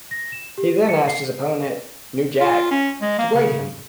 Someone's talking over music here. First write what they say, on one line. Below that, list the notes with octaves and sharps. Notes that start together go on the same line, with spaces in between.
He then asked his opponent, New Jack, to blade him.
A#6
E7
G4
C#7
C7
F4
C#4
G#3
A#3
C#3